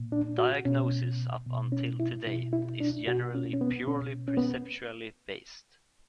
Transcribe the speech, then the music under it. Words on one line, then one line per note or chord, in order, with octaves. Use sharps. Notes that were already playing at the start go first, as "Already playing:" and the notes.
Diagnosis, up until today, is generally purely perceptually based.
Already playing: A#2
D4
F#4
B2 C#4
B2
C#4
E4
B2 E4
E4
D4
B2 F#4
C#4
C#4
B3
B2 C#4
C#4
B3